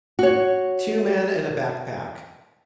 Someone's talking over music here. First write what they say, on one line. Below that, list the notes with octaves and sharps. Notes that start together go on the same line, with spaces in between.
Two men and a backpack.
F#4 C#5